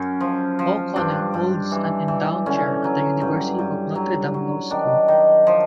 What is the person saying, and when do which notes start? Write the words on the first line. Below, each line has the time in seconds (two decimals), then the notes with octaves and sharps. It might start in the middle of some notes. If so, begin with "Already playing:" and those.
O'Connell holds an endowed chair at the University of Notre Dame Law School.
Already playing: F#2 C#4
0.21 F3
0.59 F3
0.96 G2 D4
1.34 G2
1.71 E3
2.08 E3
2.46 D3 C#4
2.84 F#3
3.21 G2
3.59 G2
3.95 F#3
4.34 F#3
4.71 D#3 D4
5.08 D#3
5.47 F3